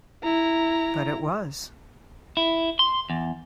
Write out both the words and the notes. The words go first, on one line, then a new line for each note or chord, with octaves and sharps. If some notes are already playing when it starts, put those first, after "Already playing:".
But it was.
E4 A#5
E4
C6
E2